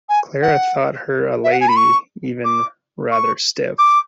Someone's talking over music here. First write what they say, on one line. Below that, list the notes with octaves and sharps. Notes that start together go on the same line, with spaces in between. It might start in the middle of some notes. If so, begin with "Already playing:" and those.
Clara thought her a lady, even rather stiff.
G#5
F#5
E5
F#5
G#5
B5
C#6
D6
C#6
D6